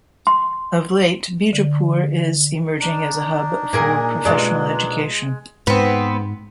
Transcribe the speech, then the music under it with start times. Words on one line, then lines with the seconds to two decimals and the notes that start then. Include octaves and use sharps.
Of late Bijapur is emerging as a hub for professional education.
0.27 C6
1.53 D3
2.80 D4 D#4
3.73 A#2 A#3 G#4 A#4
4.25 B2 G#3 F4 D5
5.67 G#2 B3 C4